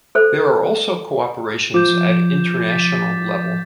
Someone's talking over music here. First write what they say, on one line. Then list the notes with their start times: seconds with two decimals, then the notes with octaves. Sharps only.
There are also cooperations at international level.
0.15 A4 C5
1.74 F3 D6 G6
2.69 A6 B6